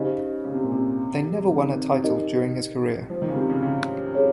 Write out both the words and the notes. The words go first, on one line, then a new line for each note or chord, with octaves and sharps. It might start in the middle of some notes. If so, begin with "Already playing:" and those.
They never won a title during his career.
Already playing: C#3 D#4 G4 C5 D#5
C#3
C3
A#2
C3
D#3
D#4 G4 A#4 D#5
F3
D#3
C#3
C3
C#3
C#3
G#4 C#5